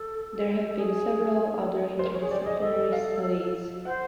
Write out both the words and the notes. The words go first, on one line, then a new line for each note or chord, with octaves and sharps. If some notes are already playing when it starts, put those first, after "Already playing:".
There have been several other interdisciplinary studies.
Already playing: A4
A4
G#4
A#4 C5
C#5
G#4
G4 D5
G#4
D#5
A4 D#5
F5
C5 F#5